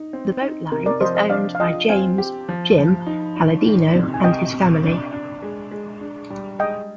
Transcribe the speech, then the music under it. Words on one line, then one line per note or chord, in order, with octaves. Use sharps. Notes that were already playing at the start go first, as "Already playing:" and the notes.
The boat line is owned by James "Jim" Palladino and his family.
Already playing: D#4
C4
D#4
C3 A#4
A#4 D5
F3 C5 D#5
C5 D#5
D4 D5 F5
F5
F4 D#5 G5
C4 F5 G#5
G4
F3
F3
D#4
D#4
D#3
C3
G#5
C3 D#5 G5
C3
D4
D4
G#3
G#3
D4
G3
G#3 D#5 G5